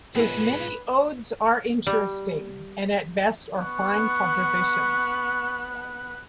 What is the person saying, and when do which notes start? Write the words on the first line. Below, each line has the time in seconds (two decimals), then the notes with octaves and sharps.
His many odes are interesting, and at best are fine compositions.
0.15 G#2 B2 G#3 B3 E4 F4 G#4 B4
1.87 G3
3.61 B3 C#6 F#6